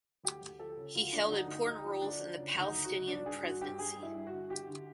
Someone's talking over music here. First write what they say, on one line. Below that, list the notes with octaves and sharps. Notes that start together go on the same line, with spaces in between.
He held important roles in the Palestinian presidency.
D2 G4
D2
F3 A4
C#3
D2 F4
F3 D4
D4
D2 D#4
D2 D#4
D2 D#4
F3
D2 D4
F3
C#3
D2
D#4
D2
F#4
C#3
G2 D4
G2 G#4
G2 F#4
G2 G4
G3 G#4
G2 E4
G2
F#4
D3
D3 G4
D3